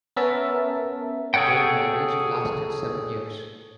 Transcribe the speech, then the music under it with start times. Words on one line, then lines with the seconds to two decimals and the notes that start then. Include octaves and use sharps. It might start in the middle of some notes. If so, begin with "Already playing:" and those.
Their marriage lasted seven years.
0.16 B3 C#4 A#4 E5 A5
1.34 G#4 A4 C#5 F#5 G5